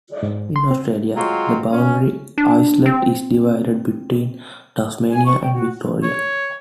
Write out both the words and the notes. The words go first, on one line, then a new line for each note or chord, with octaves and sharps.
In Australia, the Boundary Islet is divided between Tasmania and Victoria.
G#2
C6
C4
F#3 G#3 C4 F4 C#5
C#4
D4
C4
G#5
C#6
G5
F#4
C#5